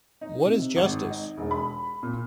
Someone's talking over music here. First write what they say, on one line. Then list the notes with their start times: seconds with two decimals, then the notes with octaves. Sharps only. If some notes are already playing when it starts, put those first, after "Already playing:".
What is justice?
0.21 D#4
0.45 C3
0.76 G#1
1.10 D#4
1.37 E1
1.51 B5
2.03 A#2